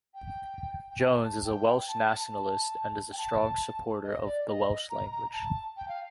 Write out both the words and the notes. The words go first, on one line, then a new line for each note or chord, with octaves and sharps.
Jones is a Welsh nationalist and is a strong supporter of the Welsh language.
G5
G5
A5
G5
G5
A5
A5
G5
A5
D#5
D5
D#5
A#5
A#5
A5
G5
F5